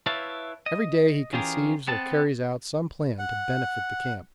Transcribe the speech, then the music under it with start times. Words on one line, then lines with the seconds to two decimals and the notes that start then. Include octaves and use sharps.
Every day he conceives or carries out some plan to benefit the camp.
0.06 E4 B4 C#5 E5 F5 A5
0.66 D#5
1.33 E3 C#4 F4 G4 G#4 A#4
1.88 B3 C4 A5
3.19 F#5